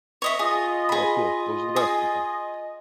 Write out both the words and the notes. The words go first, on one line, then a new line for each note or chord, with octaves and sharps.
Oh, cool. Those are the best ones, then.
C#5 D#5 E5
F4 G#4 D#5
G#4 B5
G#4